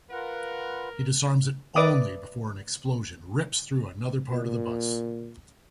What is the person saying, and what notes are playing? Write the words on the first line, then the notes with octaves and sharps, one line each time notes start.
He disarms it only before an explosion rips through another part of the bus.
F4 A#4 B4 F#5
B4 D5 E5 D6 D#6
A#2